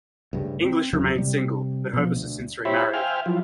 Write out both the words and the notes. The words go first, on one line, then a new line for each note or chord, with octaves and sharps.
English remained single, but Hovis has since remarried.
D2 G2 C#3
C4
E2 C#3 E3 F#3
C3 G3
B2 F3
D2
E4 G4 C5 C#5 E5 B5
C5 E5 F5 G5 G#5 F6
F3 F#3 E4 F4